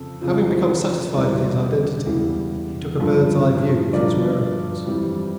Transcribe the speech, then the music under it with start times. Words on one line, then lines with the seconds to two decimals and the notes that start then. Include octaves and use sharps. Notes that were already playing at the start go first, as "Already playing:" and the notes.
Having become satisfied of his identity, he took a bird's eye view of his whereabouts.
Already playing: F2 C#3 A4
0.21 F2 C#3 F3
1.14 E2 C#3 E3 G3 A#4 D5
2.06 E2 C#3 E3 G3
3.00 G2 D3 F3
3.92 G2 D3 F3 A#4 D5
4.86 F2 E3 G3